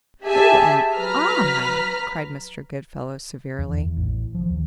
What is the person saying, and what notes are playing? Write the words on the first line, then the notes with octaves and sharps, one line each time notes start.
"Who am I?" cried Mr. Goodfellow, severely.
G4 G#4 E5 G#5 A5
F#3 B4 A#5 F6 B6
E2
E2
A1
F3
D#2